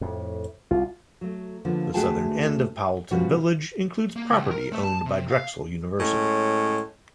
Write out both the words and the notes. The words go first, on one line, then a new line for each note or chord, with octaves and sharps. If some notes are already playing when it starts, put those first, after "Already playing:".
The southern end of Powelton Village includes property owned by Drexel University.
F2 A2
C2 F4
F#3 A3
D3 F3 A#3 B3
D2 A3 F#4 G#4 G5 A5
G#2 B2 F3 G3 C#4 F#4
A#3
C#2
A#4
A3
A5
C3
F5
A2 G#3 C#4